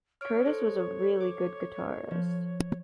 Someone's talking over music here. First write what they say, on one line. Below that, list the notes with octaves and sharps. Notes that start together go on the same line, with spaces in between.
Curtis was a "really" good guitarist ...
C#5 F6 D7
A4 C5
D6
F3